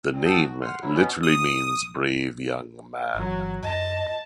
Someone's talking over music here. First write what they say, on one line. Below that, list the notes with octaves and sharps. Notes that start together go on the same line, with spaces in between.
The name literally means "brave young man".
A#2 C4
F#5 G5 A5 D#6 E6 G6
F#4
F#5 C6 F6
D2 F#3 E4
B2 B3 C#4
D#6
G1 A#2 E3 F#3
F#2 D#5 A5